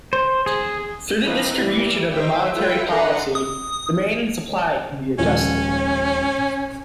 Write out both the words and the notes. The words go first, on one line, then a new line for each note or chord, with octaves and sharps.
Through the distribution of the monetary policy, demand and supply can be adjusted.
C5
G#4
E3 F3 C4 D#4 B4
E3 G3
D#4 C5 E5 G5
F4 A4 B4 E5 G5
D3 D#3 B4 F#5 A#5 C6
D#6
D#1 F3 G#3 C#4